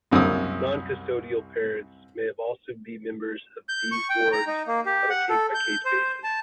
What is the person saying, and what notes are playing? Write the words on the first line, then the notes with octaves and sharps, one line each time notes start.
Non-custodial parents may also be members of these wards on a case-by-case basis.
C2 F#2 A#3 C4 D#6
G6
C#6
G5
A#5
D#4
A#3
G4
F#5
A4
G6
C5
A5